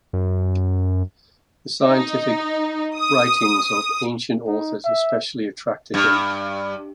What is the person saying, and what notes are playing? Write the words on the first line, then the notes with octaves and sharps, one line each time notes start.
The scientific writings of ancient authors especially attracted him.
F#2
D#4
D#6
D#4
E5
G2